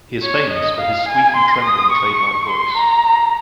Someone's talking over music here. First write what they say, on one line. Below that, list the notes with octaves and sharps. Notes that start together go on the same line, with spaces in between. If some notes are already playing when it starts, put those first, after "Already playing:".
He is famous for his squeaky trembling trademark voice.
C#5
D#5
F5
G#5
C6
D#6
C#6
C6
A#5